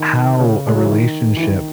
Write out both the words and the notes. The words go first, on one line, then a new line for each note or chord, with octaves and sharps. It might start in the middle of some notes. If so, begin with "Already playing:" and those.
how a relationship
Already playing: D#3
C#3
G#3
F#3
E3
D#3
E3
D#3